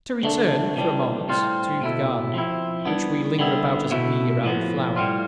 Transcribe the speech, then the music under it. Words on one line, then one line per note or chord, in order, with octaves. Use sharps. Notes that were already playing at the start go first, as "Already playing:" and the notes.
To return, for a moment, to the garden, which we linger about as a bee around a flower.
D3 A3 D4
C3 E3 G3 D4
A2 G3 C4 F4
B2 A3 E4
F3 C4 E4
E3 G3 B3 D4
D3 G3 B3 E4
B2 A3 E4
A2 F3 B3
A2 G3 C4 F4